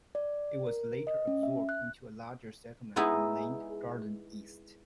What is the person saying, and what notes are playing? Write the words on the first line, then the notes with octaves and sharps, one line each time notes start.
It was later absorbed into a larger settlement and named Garden East.
D5
A#4
D#5
C#4
E5
F#6
G#3 B3 D#4 E4 G#4